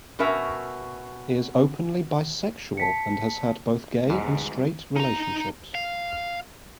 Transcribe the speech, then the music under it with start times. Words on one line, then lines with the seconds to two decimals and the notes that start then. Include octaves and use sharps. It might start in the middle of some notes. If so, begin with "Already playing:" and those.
He is openly bisexual and has had both gay and straight relationships.
0.19 B2 C#4 A#4 E5
2.77 A5 B6 C#7
4.10 E2 G#2 B2 G3
4.96 D#4 A#5
5.75 F5